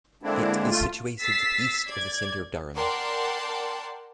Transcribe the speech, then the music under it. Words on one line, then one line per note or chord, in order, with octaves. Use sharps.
It is situated east of the centre of Durham.
D3 G#3 A#3 C4 D4 E4
A3 F4
E6 A6 B6 C7
D5 G#6
A#4 D5 F#5 G5 A5 C6